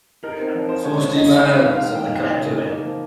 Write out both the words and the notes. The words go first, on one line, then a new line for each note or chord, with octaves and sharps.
"Full steam ahead," said the captain.
D#4 A#4
C4
F3
D#4 C5
G#3 C#5
F3
D#4 D#5
G#3
D#3
D#4 F5
F5
G#3
F5
D#3 G5
D#4
G#3
C#3
D#4
A#3
F3